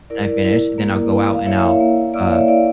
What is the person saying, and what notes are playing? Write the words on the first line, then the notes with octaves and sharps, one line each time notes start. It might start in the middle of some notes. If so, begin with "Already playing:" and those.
and I finish, then I'll go out and I'll, uh,
E4 A#4 D5
E4
A#3
E4
F5
E4 C#5 E5
A#3
A#3 D5 F5
C#5 E5
E4 D5 F5